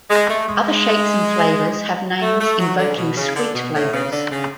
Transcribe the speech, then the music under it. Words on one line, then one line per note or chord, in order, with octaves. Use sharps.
Other shapes and flavors have names invoking sweet flavors.
G#3
A3
G#3
A3
A3
F#3
D3
C#3
B2
C#3
D3
B2
A2
C#3
D3
C#3